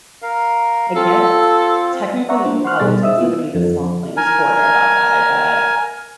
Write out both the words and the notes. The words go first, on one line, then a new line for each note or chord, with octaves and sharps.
I guess, technically, you could probably take somebody to small claims court about that, I bet.
A#4 F5
C4 F4 A4
D5 E5 F#5 A#5 C#6
A#3 D4 C5
F#5 C6 C#6 F6 F#6
B2 G3 G#4 C5 A6
D#5 E5 D#6 E6
A#3 B3 E4 F4
F2
A#4 G#5